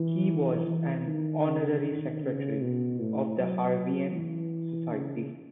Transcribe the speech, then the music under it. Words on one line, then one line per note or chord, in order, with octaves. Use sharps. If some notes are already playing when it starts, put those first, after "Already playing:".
He was an honorary secretary of the Harveian Society.
Already playing: E3
E3
D#3
C#3
D#3
C#3
B2
A2
F#3
E3
C#3